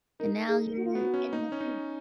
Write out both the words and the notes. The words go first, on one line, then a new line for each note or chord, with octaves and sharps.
And now you're in the field.
D#4 A#4
G#4
F#4
F4
B3 F#4
C#4
D#4
C#4
D#4